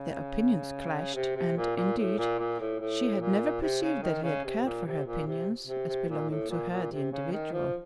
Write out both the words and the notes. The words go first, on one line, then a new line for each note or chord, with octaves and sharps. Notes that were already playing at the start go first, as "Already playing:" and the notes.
Their opinions clashed; and indeed, she had never perceived that he had cared for her opinions, as belonging to her, the individual.
Already playing: C#3
C3
C3
A#2
A#2
A2
A#2
A#2
A2
A2
A#2
C3
C#3
D#3
C#3
C3
A#2
C3
A#2
C3
C3
C3
A#2
A2
A#2
A#2
C3
C#3
D#3
F3